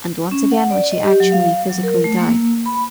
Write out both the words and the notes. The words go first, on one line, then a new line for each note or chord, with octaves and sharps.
And once again when she actually physically died.
C#4
F#5
D5
D#5
G4
F#3
F5
F#3
A#4
A3
A#3
B5